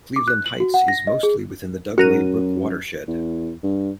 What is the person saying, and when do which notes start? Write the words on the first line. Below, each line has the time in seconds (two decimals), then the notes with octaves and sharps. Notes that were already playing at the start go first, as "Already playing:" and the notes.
Cleveland Heights is mostly within the Dugway Brook Watershed.
0.16 D6
0.28 F#6
0.46 F#7
0.60 F#4
0.74 F#5
0.88 A#6
1.07 D#5
1.23 G#4
1.98 F#2 F#4 A#4 D#7
3.07 E2
3.63 G2